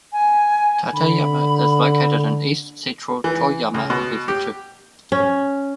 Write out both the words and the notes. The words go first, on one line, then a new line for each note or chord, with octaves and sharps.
Tateyama is located in east central Toyama Prefecture.
G#5
D3 B5
E3
C#2
B2
G4
C#4